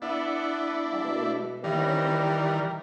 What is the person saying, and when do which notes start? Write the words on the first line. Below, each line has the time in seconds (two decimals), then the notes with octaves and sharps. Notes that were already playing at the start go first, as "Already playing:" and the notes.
everyone is so,
0.02 B3 D4 E4
1.07 B2
1.64 D#3 E3 G3 A#4